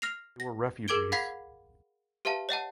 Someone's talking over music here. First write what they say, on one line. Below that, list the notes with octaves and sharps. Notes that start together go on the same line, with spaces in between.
They were refugees.
F6 A#6 C7 F7
A#6
G#4 A#4 D6 G#6 D7 G7
F5 F#5 B5 G#6 B6 C7
G4 B4 E5 F5 A5
C#5 D#5 F#5 A5